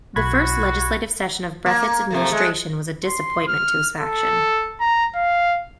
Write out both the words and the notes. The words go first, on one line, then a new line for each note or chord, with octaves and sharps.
The first legislative session of Breathitt's administration was a disappointment to his faction.
B1 F#4 B5 G#6
A#3
C3 A3 A#3
G#3 A3
C6
F6
A4
A#5
F5